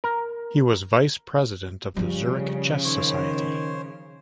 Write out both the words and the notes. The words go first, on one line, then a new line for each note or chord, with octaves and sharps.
He was Vice President of the Zurich Chess Society.
A#4
C#3 F3 G3 F4
D#3 C5 C#5